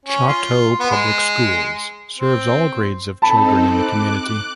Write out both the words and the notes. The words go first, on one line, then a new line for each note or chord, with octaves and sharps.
Choteau Public Schools serves all grades of children in the community.
C#4
F4
B3
G#3
C4
C4 D#4 A4 A5 B5
D6 F#6